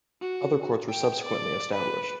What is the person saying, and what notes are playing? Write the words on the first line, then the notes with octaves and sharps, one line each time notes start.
Other courts were subsequently established.
F#4
G5
D5
B4